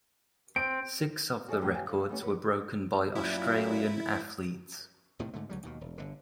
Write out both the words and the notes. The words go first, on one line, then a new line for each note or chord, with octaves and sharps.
Six of the records were broken by Australian athletes.
C4 D7
F#4 G#4 A4 C5 D5 E5
A2 C#3 E3 F3 F#4 G4
D#3 C5 F5 G#5
D3 F5
E2 A3 C#4
F#4 A#4 B4
F#2 A#2 E4
C2 A2 C3 D#3
G#2 D3 A3
C#2 F#3 G3
D#2 B2 D#3
E1
G1 D3